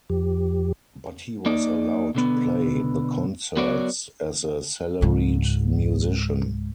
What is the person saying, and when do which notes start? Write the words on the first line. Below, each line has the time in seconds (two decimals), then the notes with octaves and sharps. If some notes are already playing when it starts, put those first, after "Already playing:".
But he was allowed to play the concerts as a salaried musician.
0.10 F2 F3 G4
1.46 A#3 D#4 D5
2.15 B2 D3 B3
3.57 F#3 B3 F#4 A#4 C#5 D5
5.01 C#2 G#2